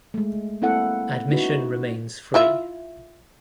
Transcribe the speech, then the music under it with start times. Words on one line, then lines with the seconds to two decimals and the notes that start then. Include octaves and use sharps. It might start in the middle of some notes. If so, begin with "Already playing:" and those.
Admission remains free.
0.14 G#3 A3
0.62 A#3 C4 E4 A4 F#5
1.30 C#4 D#4 E4 F#4 B4
2.34 E4 F4 E5